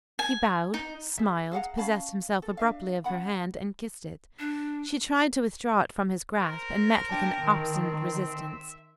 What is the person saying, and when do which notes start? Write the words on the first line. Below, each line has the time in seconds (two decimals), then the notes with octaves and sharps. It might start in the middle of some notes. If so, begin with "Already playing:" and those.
He bowed, smiled, possessed himself abruptly of her hand, and kissed it. She tried to withdraw it from his grasp, and met with an obstinate resistance.
0.19 G#5
0.74 D#4
1.18 G#4 E5
1.52 G#4 F5 F#5 A#5
1.77 C#4 F5 A5 B5
2.42 A4
2.57 D4 E5 F5
3.04 C#4 D4 F#5 B5
4.39 D4
6.39 A#4 C5
7.10 D4 G5 A5
7.42 D#3 C4
8.30 E5